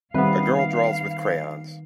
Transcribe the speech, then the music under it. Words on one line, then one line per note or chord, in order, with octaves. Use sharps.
A girl draws with crayons.
D#3 G3 B3 C4 B4 E5 F5